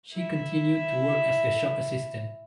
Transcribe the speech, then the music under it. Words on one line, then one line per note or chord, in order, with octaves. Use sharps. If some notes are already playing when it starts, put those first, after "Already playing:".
She continued to work as a shop assistant.
E4 E5